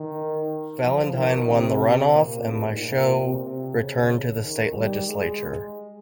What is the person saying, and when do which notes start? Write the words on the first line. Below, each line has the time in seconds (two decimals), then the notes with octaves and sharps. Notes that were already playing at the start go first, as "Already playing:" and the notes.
Valentine won the runoff, and Michaux returned to the state legislature.
Already playing: D#3
0.83 F3
1.15 D#3
1.48 C3
2.13 A#2
2.45 G#2
2.78 A#2
3.11 C3
3.44 C3
3.76 C#3
4.41 D#3
4.74 G3
5.07 G#3